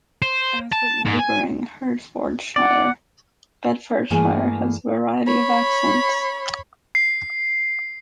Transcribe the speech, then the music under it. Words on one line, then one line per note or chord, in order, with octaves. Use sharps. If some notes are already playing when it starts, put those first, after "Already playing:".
As with neighbouring Hertfordshire, Bedfordshire has a variety of accents.
C5
A5
G#2
G#5
D5 F#5
G2 E3 A3 A#3 G#4 G#5
C#5 B5
C7